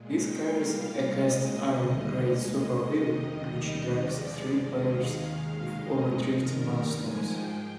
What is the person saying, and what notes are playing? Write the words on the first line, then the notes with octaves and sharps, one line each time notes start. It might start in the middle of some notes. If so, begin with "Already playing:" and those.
This carries a cast-iron Great Spur Wheel which drives three pairs of overdrift millstones.
Already playing: A#2 G#3
G5
A#2 G3 F5
A#2 G#3 D#5
D#2 D3 G3 D#5
A#2 G#3
D#5
F2 C3 D#3
D#2 D#3 G3
G2 F3 G#3 D5
D#2 D#3 G#3 D#5
F5
D#2 D#3 G#3 F5
G2 F3 G#3 D#5
G2 D#3 G3 A#4
G#2 F3 G#3 G#5
G5